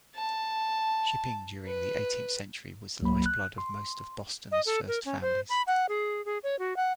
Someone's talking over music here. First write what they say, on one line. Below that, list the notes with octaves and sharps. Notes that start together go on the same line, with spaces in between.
Shipping during the eighteenth century was the lifeblood of most of Boston's first families.
A5
B4
C#2 F#3 A#3 B5
F#6
C6
D#5
A4
A#4
C#4
C5
B5
F#5
G#4
G#4
C#5
F#4
F#5